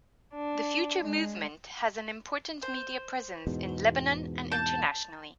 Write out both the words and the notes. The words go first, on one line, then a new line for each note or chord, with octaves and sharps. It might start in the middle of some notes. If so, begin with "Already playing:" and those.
The future Movement has an important media presence in Lebanon and internationally.
D4
G#3
C5
E2 G#2 B2
A5 G6